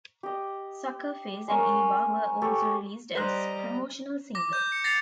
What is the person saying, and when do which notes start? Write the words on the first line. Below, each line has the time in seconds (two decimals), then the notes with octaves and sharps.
"Suckerface" and "Eva" were also released as promotional singles.
0.23 G4 D#5
1.48 G#3 C#4 A#4
2.42 G4 A4 C#5
3.15 G3 C5 D#5 A#5 F#6
4.35 D6 A#6
4.53 G6
4.72 C#7
4.84 A6 A#6 C7 C#7 F7